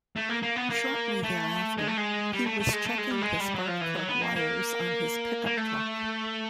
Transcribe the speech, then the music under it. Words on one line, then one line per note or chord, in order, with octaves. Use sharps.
Shortly thereafter, he was checking the spark plug wires on his pickup truck.
A3
A#3
A#3
B3
A#3
A3
G#3
A3
G#3
G3
A3
A3
G#3
A3
G#3
G3
G#3
G3
F#3
F3
E3
F#3
B3
A#3
A#3
A#3
A3